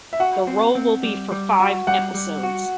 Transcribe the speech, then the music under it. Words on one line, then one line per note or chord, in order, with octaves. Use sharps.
The role will be for five episodes.
E5
F#4 F#5
C4
C4
G3
G3
F#4
G3 F#5
G3
F#4